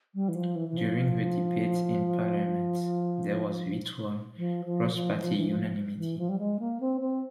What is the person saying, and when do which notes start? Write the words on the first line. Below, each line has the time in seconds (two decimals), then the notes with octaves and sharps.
During the debates in Parliament, there was virtual cross party unanimity.
0.14 G3
0.29 E3
0.35 F3
0.56 E3
0.69 E3
0.77 F3
4.37 F3
4.65 F3
4.93 F3
5.11 E3
5.21 F3
5.37 E3
5.48 F3
5.97 E3
6.18 F3
6.29 G3
6.39 G#3
6.59 A#3
6.80 C4
7.01 C4